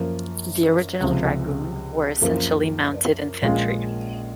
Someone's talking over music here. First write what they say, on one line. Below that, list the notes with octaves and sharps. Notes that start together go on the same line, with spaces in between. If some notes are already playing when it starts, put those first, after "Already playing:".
The original dragoons were essentially mounted infantry.
Already playing: F#2 F3 A#3
C#2 C3 F3
F#2 F3 A#3
A#1 A#2 G#3 C#4 F4